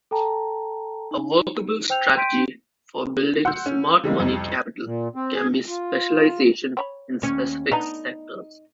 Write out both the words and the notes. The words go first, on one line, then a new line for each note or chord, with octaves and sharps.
A workable strategy for building smart money capital can be specialization in specific sectors.
A4 G5 A5 A#5
D#4
C5 G5 E6 G6 F7
G5 C6 G6 B6 D7 D#7
F#5 C6 E6 G6
C#4
E3 G3 G#3 A#3
C2 F2
A#2
C4
G#4
F4
C4 C#5 B5
D#2 C#4
B3 D4 D#4 A#5